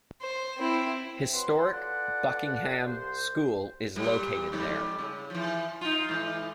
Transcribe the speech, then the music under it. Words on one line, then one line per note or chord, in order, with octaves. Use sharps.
Historic Buckingham School is located there.
C5
C4 E4
F#3 B4 F#5 C6
F4 A4 B4 D5 F#5
C2 G4 C5
A#2 G3
F2 G#2 G3
C#3
E3 F3
D#4 F4
G#2 E3